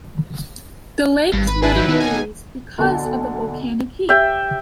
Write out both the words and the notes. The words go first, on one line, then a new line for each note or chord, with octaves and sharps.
The lakes never freeze because of the volcanic heat.
G#1 G2
B4
E4 G#4 B4
E3 F#3
D#3 B3 D#4
G#5
B1 D3 A5
G4 E5 G5